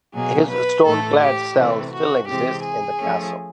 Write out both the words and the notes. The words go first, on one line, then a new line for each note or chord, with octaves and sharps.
His stone-clad cell still exists in the castle.
B2 F#3 A#3 G#4
B4
A2 E3 A3 A4
G4
C3 E3 A3 C4
F#4
C3 E3 G#3 C4 G4
G#4
F3 A3 C#4